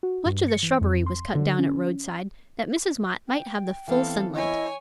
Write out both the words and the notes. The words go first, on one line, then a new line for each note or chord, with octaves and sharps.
Much of the shrubbery was cut down at Roadside, that Mrs. Mott might have the full sunlight.
F#4
G2
C#7
E3
F2
C6
D3
C#4
G5
E3 B3 C4 A4 F5
E4 C#5 D#5 G#5